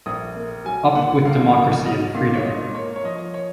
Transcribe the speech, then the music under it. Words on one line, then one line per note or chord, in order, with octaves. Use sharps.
Up with democracy and freedom!
A#1 D#6
A#3
F#3 G#5
A#2 F#5
A#1 F5
A#3
F#3 D#5
A#2 F5
C#5
G#1 D#5
A#3 C#5
C#5
F3 D#5
C#5